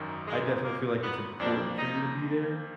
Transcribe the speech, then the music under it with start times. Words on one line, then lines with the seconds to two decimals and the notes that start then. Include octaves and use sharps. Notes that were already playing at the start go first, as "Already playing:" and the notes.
I definitely feel like it's important for me to be there.
Already playing: G#1 F#2 D#3
0.27 G#3
0.64 A#3
1.02 B3
1.39 F2 F3 A#3 D4
1.78 D#4